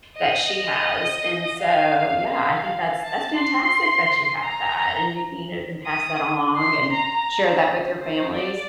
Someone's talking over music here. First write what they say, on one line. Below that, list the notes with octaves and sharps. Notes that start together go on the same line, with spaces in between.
that she has, and so, yeah, I think that's that's fantastic that you have that, and you you know, can pass that along and share that with your families,
D#5
D#5
F5
F5
A5
C6
A#5
D#6
C6
A#5
C5
D5